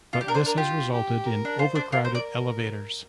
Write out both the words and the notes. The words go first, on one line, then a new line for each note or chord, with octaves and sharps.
But this has resulted in overcrowded elevators.
F4
G4
D4 A#4
C5
A#4
F4 G4
G4
A#4
D4
F4 C5
D4
F4 A#4
C5
D5